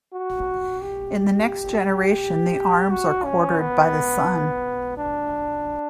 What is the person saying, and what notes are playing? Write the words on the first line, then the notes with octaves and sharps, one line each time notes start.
In the next generation the arms are quartered by the son.
F#4
G4
F#4
C#4
B3
D4